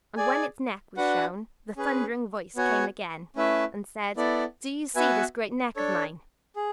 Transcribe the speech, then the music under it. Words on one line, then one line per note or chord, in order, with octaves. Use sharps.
And when its neck was shown, the thundering voice came again and said: "Do you see this great neck of mine?"
G#4 D5 G#5
D4 F#4 B4 F#5
C#4 G#4 B4
B3 F#4 C#5 G#5
A3 C#4 E4 B4 E5
B3 E4 A4 D5
B3 F#4 B4 E5 G#5
D4 A4 C#5
G#4